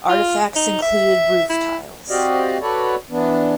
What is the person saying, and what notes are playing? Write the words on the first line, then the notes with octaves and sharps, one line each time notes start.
Artifacts included roof tiles.
F4
D#4
E5
E4
C4 F#4 G4 D5 D#5 F5
F#4 A4 B4 C#5 D5
E3 B3 D4